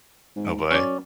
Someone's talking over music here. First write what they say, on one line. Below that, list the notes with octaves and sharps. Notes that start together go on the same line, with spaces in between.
Oh, boy.
G#2
F#2 C#4 D5